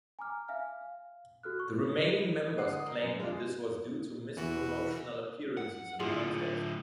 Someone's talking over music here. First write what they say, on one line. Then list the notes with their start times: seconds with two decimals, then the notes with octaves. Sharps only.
The remaining members claimed that this was due to missed promotional appearances and concerts.
0.19 G#5 A#5 D6 F6
0.48 E5 F5 G#5 F6
0.81 F5
1.43 F#4 A4 F6 F#6
1.59 C#6
2.56 D3 G#3 F#5 C7
2.72 D#6
2.86 A#4
3.01 F#2
3.19 G#3 D4 F4
4.37 E2 E3 F#4
5.57 F#5
5.99 A2 D3 E4 F4 G#4